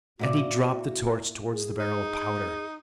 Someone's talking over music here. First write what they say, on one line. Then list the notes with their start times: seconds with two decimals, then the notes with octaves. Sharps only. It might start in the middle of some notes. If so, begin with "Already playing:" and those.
And he dropped the torch towards the barrel of powder.
0.19 A#2 E4 F#4 D5
1.53 G#4
1.79 D#4